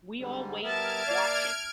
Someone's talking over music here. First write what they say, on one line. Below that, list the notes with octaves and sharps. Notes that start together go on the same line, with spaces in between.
We all wait, watching.
G#2 D3 G3
G3 B3 A#4 E5 A5 F6 G#6 D7
A#3 D5 F5